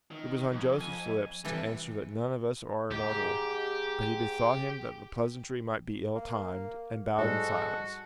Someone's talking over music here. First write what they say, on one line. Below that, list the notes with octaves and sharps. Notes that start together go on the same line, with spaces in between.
It was on Joseph's lips to answer that none of us are immortal, but he bethought him that the pleasantry might be ill-timed, and bowed in silence.
D#3
F2
G#5
C3 E3 G3 A4
G#2 G4
A#3
G#2 F3 G3 G#3 F#4 A4